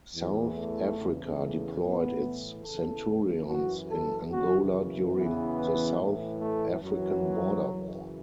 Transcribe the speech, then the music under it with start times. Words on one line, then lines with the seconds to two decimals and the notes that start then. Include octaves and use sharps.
South Africa deployed its Centurions in Angola during the South African Border War.
0.15 E2 E3
0.55 A3
0.98 E2 C#3 E3
1.39 A3
1.81 A2 E3 B3
2.64 E2 C#3 E3 A4
3.48 F#2 E3 F#4
3.90 A4
4.31 F#2 C#3 E3 F#4
5.15 E2 C#3 E3 B3
5.99 A2 E3
6.41 A3
6.82 F#2 E3 F#3
7.65 F#2 C#3 E3